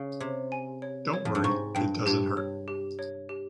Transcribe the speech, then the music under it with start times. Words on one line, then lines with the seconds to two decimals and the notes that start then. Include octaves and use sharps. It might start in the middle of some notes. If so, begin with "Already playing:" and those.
Don't worry, it doesn't hurt.
Already playing: C#3
0.20 C3 C#5
0.52 G#5
0.82 C#5
1.14 C#5
1.25 F2
1.35 G2
1.44 G#2 C#6
1.75 G2 G5
2.06 G2 G4
2.37 C#5
2.68 G4
2.99 C#5
3.29 G4